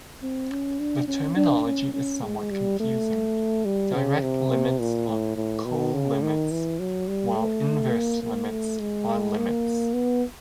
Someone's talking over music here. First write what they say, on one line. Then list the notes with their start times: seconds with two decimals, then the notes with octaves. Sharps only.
The terminology is somewhat confusing: direct limits are colimits while inverse limits are limits.
0.23 C4
0.51 C#4
0.79 D4
1.08 C#4
1.36 D4
1.65 C#4
1.94 C#4
2.22 G#3
2.51 G3
2.80 A3
3.65 G3
3.93 C#3
4.22 C3
4.80 A#2
5.08 A2
5.36 A2
5.65 B2
5.94 C#3
6.22 D#3
6.51 E3
6.79 F#3
7.08 G3
7.36 A3
7.94 A#3
8.22 A#3
8.51 A3
8.80 G#3
9.37 A#3
9.93 B3